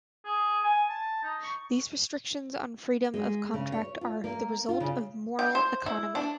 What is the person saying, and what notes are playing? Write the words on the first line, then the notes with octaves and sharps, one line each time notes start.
These restrictions on freedom of contract are the results of moral economy.
G#4
G#5
A5
D#4
C#6
G#3
C#3
C#5
F4
A#3
F4
C#3
G5
C5
E4
D4